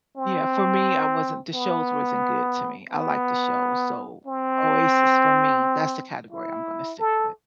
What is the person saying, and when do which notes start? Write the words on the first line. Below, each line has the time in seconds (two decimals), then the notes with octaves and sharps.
Yeah, for me, I wasn't the shows wasn't good to me, I like the show, so, Oasis for me that's the category I'm gonna stick with.
0.17 C4
1.53 B3
2.90 B3
4.26 C4
6.31 E4
7.00 A4